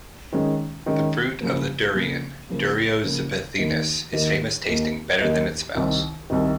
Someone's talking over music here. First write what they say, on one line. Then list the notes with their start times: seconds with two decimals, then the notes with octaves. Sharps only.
The fruit of the durian, "Durio zibethinus" is famous, tasting better than it smells.
0.33 D#3 G#3 C#4
0.86 D#3 G#3 C#4
1.41 C#3 F3 A#3
1.95 C#3 F3 A#3
2.49 C#3 F3 A#3
3.04 C#3 F3 A#3
3.58 D#2 D#3 A#3 D#4
4.12 D#2 D#3 A#3 D#4
4.67 D#2 D#3 A#3 D#4
5.20 D#2 D#3 A#3 D#4
5.75 C2 C3 D#3
6.30 C2 C3 D#3